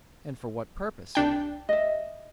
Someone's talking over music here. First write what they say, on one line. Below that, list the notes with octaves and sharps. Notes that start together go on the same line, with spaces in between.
And for what purpose?
C2 D4 G5
D#5 E5